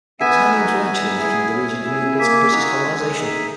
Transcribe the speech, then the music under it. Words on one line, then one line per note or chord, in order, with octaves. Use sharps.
It was highly influential in making the region amenable to British colonization.
B3 E5 G#5
D#4 F#4
B3
E4 G#4
C#4
E4 G#4
A#3 E5 G#5
D#4 F#4
G#3
D#4 G#4